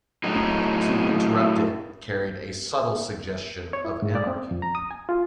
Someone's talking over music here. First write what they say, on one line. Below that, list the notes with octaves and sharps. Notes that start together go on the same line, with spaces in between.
To interrupt it carried a subtle suggestion of anarchy.
A2 F#3 D#4
C#5
E4
G#2
D5
C4
F2
A#5
D#6
G#5
F4